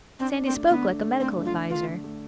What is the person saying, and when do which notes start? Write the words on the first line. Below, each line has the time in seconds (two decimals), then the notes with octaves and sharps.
Sandy spoke like a medical adviser.
0.19 C4 D4
0.37 D4
0.45 C4
0.53 A3
0.70 D3 B3
0.87 A3
1.03 A3
1.20 A3 C4
1.37 D3
1.45 F4
1.54 D3
1.70 D3 F4
1.88 D3
2.04 A3